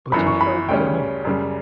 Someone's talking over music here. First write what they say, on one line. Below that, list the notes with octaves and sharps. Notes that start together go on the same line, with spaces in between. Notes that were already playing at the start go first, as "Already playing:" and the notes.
But he felt done up.
G1 F#2 E3 B5
C#6
B5
D2 C#3 G3 C#4 G5
F#2 C#3 G3